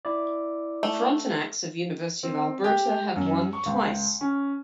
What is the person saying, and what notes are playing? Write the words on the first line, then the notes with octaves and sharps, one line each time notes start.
Frontenacs of University of Alberta have won twice.
E4 D5
A3
C4
G4
F#2
C#6
C#2
C#4